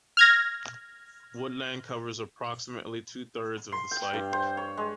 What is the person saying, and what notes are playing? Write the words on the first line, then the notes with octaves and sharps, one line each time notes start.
Woodland covers approximately two-thirds of the site.
F6 G#6 A#6
C6
G5
G2
C5
C#5
G#3